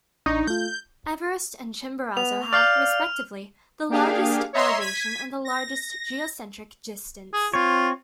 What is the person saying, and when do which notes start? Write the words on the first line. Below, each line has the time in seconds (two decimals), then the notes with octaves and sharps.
Everest and Chimborazo have, respectively, the largest elevation and the largest geocentric distance.
0.26 A1 D4 D#4 C#6
0.47 A3 F4 G6
2.17 B3 F7
2.53 D5 F5 F6 G6
3.89 A#3 D4 G4 G#4 F5
4.53 C#5 D#5 E5 A#5 C6
4.79 G#6 B6 D#7
5.45 A#6
7.33 G#4
7.54 C4 F4 C#5